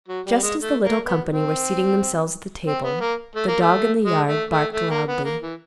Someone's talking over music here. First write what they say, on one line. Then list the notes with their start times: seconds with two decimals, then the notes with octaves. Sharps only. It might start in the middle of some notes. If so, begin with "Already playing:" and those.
Just as the little company were seating themselves at the table, the dog in the yard barked loudly.
0.08 F#3
0.26 G3
0.43 G#3
0.60 A3
0.83 A#3
1.06 B3
1.29 C4
2.67 C4
2.84 B3
3.01 A#3
3.36 A3
3.48 A#3
3.61 A3
4.04 G#3
4.27 A3
4.50 A3
4.74 A3
4.90 A#3
5.08 B3
5.25 A#3
5.42 E3